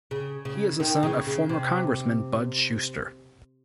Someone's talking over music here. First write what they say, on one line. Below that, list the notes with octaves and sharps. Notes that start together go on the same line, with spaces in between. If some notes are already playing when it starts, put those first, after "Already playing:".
He is a son of former Congressman Bud Shuster.
C#3
C#3
D#3
C#3
C#3
C3